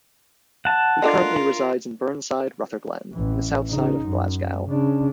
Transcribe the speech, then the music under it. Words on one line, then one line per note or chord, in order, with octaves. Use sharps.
He currently resides in Burnside, Rutherglen, in the South Side of Glasgow.
F#5 A5
D4 F4 A4 A#4 D#5
A1 E3
C#3 D#4
F#2
C#3 D4